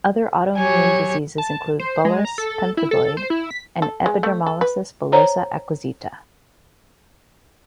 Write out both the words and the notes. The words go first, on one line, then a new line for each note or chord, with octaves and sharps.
Other autoimmune diseases include bullous pemphigoid and epidermolysis bullosa acquisita.
F#3 G4 C#5 G#5
A5
C5
G#3
A#5
A4
E4
A4
C5
E4
B6
A4
G#3
A3
A4
B4
C5 C#5 A#5